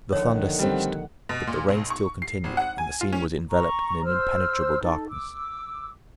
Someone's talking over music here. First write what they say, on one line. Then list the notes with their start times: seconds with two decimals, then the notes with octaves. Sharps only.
The thunder ceased; but the rain still continued, and the scene was enveloped in an impenetrable darkness.
0.12 A#1 D3 D#3 C#5 F#5
0.59 G3 C4
1.29 B2
1.47 A#2
1.69 B1
1.90 C#6
2.22 C7
2.44 G#1
2.57 F#5
2.78 G#5
3.01 F4
3.13 C#4
3.50 A#5 C#6
4.04 C5 E6 F6
4.81 D#4 A4
5.09 D6 E6